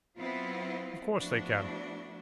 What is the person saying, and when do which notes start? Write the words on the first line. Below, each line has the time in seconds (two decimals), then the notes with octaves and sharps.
Of course they can.
0.18 F#3 B3 C4 E4 F4
1.17 F3 A3 B3 D4 E4 F#4